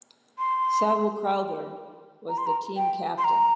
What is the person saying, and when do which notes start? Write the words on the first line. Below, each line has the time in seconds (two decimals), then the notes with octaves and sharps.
Saville Crowther was the team captain.
0.39 C6
2.29 A#5
2.38 C6
2.46 A#5
2.76 G5
3.18 C6
3.24 A#5